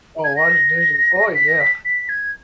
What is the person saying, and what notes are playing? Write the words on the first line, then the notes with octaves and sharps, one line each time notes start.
Oh, washing dishes. Oh, yeah.
G#6
A#6
B6
A#6
B6
B6
G#6